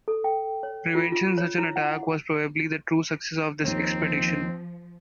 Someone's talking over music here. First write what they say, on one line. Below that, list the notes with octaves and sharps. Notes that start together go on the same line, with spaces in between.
Preventing such an attack was probably the true success of this expedition.
A4
G5
C#5
F4
F4
C#5
E4
F#5
D#2 F3 C4 D#4